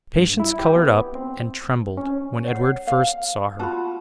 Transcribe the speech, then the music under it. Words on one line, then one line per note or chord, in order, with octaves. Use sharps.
Patience colored up and trembled when Edward first saw her.
G2
E4
G4
B3
C4
C#4
C#5 F#5
F5
F4 F#4 A5 B5